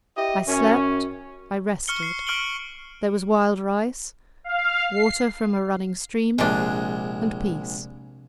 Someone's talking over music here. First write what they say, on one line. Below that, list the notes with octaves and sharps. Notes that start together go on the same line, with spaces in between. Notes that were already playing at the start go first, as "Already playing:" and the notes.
I slept; I rested; there was wild rice, water from a running stream--and peace!
E4 G4 D#5
F#2 C#4
C#6 F6 C#7 G7
C7
C#6 F6 D7 F#7 G7
F5
C7
A#1 C3 G#3 D4